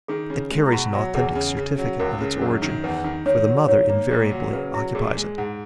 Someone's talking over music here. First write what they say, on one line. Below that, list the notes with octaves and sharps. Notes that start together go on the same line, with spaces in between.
It carries an authentic certificate of its origin, for the mother invariably occupies it.
D#3 G#4
C#3
G#3
E4
B2 F#4
F#3
E2 G#4
C#3
C#3
F#3
C#2 A#4
C#3
F#2 A#4
D#3
E2 B4
D#3
D#3 C#5
F#3
D#3 C#5
A#3
A#2
F#3
C#3 B4
F#3 E4
A#2 G#4
G#3
G#2